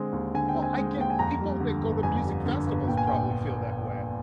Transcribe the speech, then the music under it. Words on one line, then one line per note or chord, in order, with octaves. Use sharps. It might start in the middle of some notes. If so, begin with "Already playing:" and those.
Well, I get people that go to music festivals probably feel that way,
Already playing: D3 G#3 C4
D#2
D3 G#5
G5
C4
G#5
G#3
D#2 G5
G#5
F2 A#5
G3
D3
G1
F2 G#5
G3
D3
G1
A#2 G5
G#5
A#1 G5